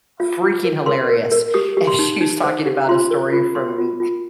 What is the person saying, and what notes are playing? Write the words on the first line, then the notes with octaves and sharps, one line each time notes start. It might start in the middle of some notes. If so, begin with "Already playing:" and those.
f freaking hilarious and she's talking about a story from
F4 F5
F4
A#4
A#4 C6
A#4
A#4
G4 D#6
G4
C6
D#4
D#4
C5
G4
A#5
F4 C6
A#4
F4
A#4 C6
F4
F4